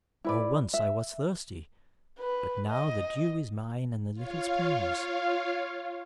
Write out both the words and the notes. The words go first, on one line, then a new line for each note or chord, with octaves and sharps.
Oh, once I was thirsty; but now the dew is mine and the little springs.
E4 B4 D5
E5
B4
D#5
F4 C#5 F5